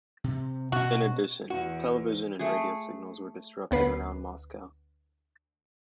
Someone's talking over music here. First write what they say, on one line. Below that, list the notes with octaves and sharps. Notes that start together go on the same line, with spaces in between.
In addition, television and radio signals were disrupted around Moscow.
C3
B2 C#4 F#4
E2 F#4
A3 G#4
D2 B3 B4 C7